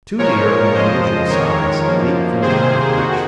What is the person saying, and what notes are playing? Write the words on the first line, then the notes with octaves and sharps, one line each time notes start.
Two deer, of unusual size, leaped from the underbrush.
A#2 F3 G#3 A#4 C#5
F2 C#3 F3 G#3 C5 D#5
F2 D#3 G#3 A#4 C#5
F#2 F3 A#3
C3 D#3 A#3 G#4 C5
F2 D#3 F#4